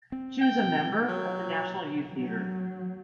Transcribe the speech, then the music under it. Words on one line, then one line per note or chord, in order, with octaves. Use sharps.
She was a member of the National Youth Theatre.
C4
G5
F#3
F#3